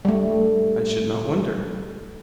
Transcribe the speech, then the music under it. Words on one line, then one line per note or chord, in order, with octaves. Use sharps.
I should not wonder.
G3 A3